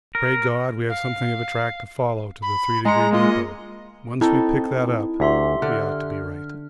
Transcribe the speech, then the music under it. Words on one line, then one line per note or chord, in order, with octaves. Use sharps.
Pray God we have something of a track to follow to the Three Degree Depot--once we pick that up we ought to be right.
A#4
F5
B5
G#3 A#5 C6 C#7
A#3 F4 D#5
C4 D#4 E4 A4
D2 G4 E5 C6
D3 F#5 F6